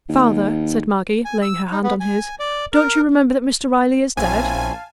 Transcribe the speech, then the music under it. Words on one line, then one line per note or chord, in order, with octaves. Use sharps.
"Father," said Maggie, laying her hand on his, "don't you remember that Mr. Riley is dead?"
D#2
G#5
E6
D#4
B3
G#5
D5
A#4
A#1 C4 C#4 E4 F5 G#5 A5